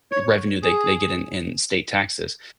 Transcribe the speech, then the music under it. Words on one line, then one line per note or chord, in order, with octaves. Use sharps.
revenue they they get in in state taxes,
C#5
G#4